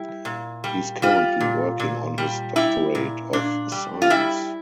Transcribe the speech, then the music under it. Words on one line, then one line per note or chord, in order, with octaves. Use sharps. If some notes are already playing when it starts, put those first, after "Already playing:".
He is currently working on his Doctorate of Science.
Already playing: G3 E4
A#2
G3
G3 F4
A#2
A#2
G3
G3 E4
A#2
A#2 D4
G3
F4
G3 E4